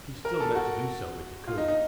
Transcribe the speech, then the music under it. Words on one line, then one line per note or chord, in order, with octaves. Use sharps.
He still meant to do so, if he could.
A#4
A4
F#4
F4
D#4
D#4